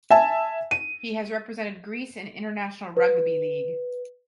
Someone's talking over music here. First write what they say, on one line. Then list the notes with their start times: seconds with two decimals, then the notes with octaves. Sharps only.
He has represented Greece in International Rugby League.
0.10 E5 G#5 A5
0.71 D#7
2.97 B4